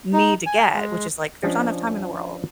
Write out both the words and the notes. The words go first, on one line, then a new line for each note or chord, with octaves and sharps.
need to get, which is, like, there's not enough time in the world.
D#4
G#5
G#3
F3 C#4 D4 D#5